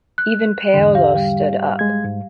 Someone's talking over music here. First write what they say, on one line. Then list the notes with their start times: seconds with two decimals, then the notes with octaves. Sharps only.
Even Paolo stood up.
0.18 F#6
0.74 E2 G#2 D3
0.95 G4 F5
1.16 G3
1.79 G#3 G#6
2.04 G#2